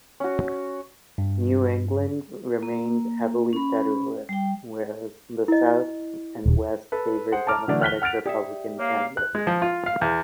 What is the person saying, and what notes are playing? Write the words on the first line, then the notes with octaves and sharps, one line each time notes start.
New England remained heavily Federalist, whereas the South and West favored Democratic-Republican candidates.
C#4 F#4
G2
A#3
C#4 B5
G3 G5
E4 D#5
D#1
A4 B4
G#4 C5 F#5
A5 A#5 D6 F6
D3 E3 F#3 A3 D4
F6 F#6 B6 G7
F#5 F6 A6 D7 F7
G4 D5 E5 G5 D#6
A#3 C#5 F5
F#6
G#3
F3
F4
F5
E2